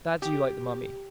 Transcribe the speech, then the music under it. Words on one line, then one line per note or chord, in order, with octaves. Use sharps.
Glad you like the mummy.
G4